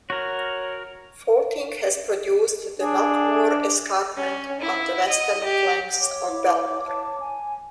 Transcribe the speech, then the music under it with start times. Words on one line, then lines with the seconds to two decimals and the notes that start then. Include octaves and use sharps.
Faulting has produced the Knockmore escarpment on the western flanks of Belmore.
0.10 F#4 A#4 C#5
2.80 D4 G#4
4.17 C#4
4.60 E4
5.09 D#5
5.44 G4
6.00 C#5 D6
6.28 E4
6.87 A5
7.20 G#5